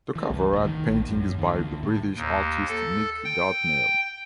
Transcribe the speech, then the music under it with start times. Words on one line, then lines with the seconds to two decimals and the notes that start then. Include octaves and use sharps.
The cover art painting is by the British artist Nic Dartnell.
0.16 E3
0.30 C2
0.53 D1
0.65 D#3
0.89 A#1
1.09 F#2
1.38 D#2
1.54 D2
1.83 A2
2.17 D#2
2.69 A4
3.24 G5